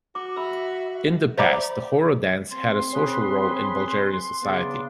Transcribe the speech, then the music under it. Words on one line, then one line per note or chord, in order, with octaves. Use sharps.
In the past, the horo dance had a social role in Bulgarian society.
F#4 D6
E5 B5 E6
C5 D5 E5 A#5 B5 D6
C4 C6
C#4 G#4 B4
C#3 B3 D4